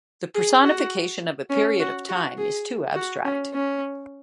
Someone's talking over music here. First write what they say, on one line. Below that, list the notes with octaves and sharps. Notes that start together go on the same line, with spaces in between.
The personification of a period of time is too abstract.
G#4
F#4
C#4
F#4
F#4
G#4
F#4
C#4
C#4